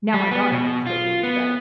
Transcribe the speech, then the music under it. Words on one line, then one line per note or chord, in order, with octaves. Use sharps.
now my daughter makes cookies, but,
G3
B3
B2
F4
B3